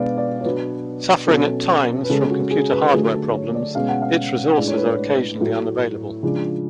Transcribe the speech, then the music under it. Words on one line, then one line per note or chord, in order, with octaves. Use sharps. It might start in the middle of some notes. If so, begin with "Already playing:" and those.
Suffering at times from computer hardware problems, its resources occasionally are unavailable.
Already playing: B2 G#3 B3 D4 D5 F5
D5
C#5
B2 F#3 B3 D4 B4
B2 F#3 C#4 A4
B4
C#3 G#3 C#4 A4
F#4
G#4
B4
D3 F#3 A3 G#4
A4
C#5
D5
B2 G#3 C#4 F5
F#5
F5
A2 G#3 D4 D5
C#5
B4
C#5
A2 F#3 A3
C#3 F3 G#3 D4